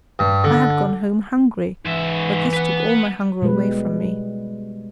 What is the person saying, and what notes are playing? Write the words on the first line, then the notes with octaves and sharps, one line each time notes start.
I had gone home hungry, but this took all my hunger away from me.
G2
D3
G#2 E3 E5
B4 F#5
B2 G3 G#3 B4